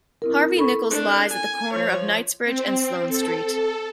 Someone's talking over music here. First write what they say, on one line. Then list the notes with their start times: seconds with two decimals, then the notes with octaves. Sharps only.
Harvey Nichols lies at the corner of Knightsbridge and Sloane Street.
0.22 C4 E4 A#4
0.57 A4 B5 C#6
0.91 D4
1.33 G#5
1.73 F3 C#5
2.44 C4
3.07 A4
3.45 A4